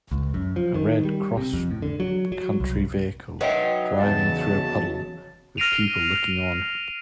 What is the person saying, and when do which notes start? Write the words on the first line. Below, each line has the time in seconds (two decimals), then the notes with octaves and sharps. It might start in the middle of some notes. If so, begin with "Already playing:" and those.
A red crosscountry vehicle driving through a puddle with people looking on.
0.12 C#2
0.34 F#2
0.56 F3
0.74 D#3
1.05 G3
1.37 C3
1.53 F2
1.71 A2
1.82 D3
2.00 F#3
2.32 F#3
2.60 C2
3.41 F#3 D#4 B4 E5 G5
4.00 E2 C#3 A5
5.57 F6 A#6 C7 D7 D#7 F7